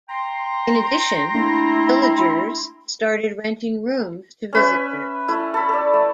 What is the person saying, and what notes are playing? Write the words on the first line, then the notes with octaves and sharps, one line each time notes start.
In addition, villagers started renting rooms to visitors.
G5 A#5 C6
A3 A#3 D4 E4
C#4 B4 E5
A3 E4
A4 B5
A4 D5
A3